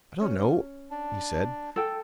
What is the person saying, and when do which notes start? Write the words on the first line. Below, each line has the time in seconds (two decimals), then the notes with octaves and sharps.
"I don't know," he said.
0.21 C#4
0.91 D4
1.76 A4 G5